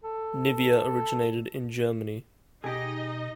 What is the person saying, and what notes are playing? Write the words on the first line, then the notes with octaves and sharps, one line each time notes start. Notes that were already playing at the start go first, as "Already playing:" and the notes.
Nivea originated in Germany.
A4
B2 D#4 G4 G#4 D#5